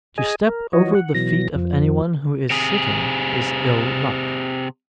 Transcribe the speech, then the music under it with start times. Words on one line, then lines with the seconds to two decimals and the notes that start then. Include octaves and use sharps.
To step over the feet of any one who is sitting is ill luck.
0.18 G#4 D#5 G#5
0.47 A#4
0.73 E3 F3 F#4 C#5 D#5
0.95 F#5
1.15 B2 E3 F#3 A#6
1.55 F2 F3
2.50 C3 G#4